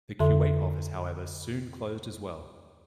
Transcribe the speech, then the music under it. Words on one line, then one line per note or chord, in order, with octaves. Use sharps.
The Kuwait office however soon closed as well.
F2 D3 A4 E5 C6